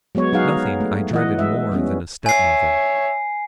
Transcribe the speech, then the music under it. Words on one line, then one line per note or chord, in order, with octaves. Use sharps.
Nothing I dreaded more than a step-mother.
F#3 G#3 B3 C#5
F#3 D#4 G#4 F5 F#5
A3
E3 D#5 F#5
G#3 E5
G3 B3 C#4
C#5 E5 G#5 C7